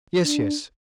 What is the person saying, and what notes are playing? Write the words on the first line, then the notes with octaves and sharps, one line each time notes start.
Yes, yes.
D4